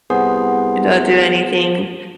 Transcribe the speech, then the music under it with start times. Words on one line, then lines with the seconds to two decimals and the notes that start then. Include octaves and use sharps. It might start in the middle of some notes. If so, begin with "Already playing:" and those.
don't do anything."
0.10 C2 B3 G#4 C5 F#5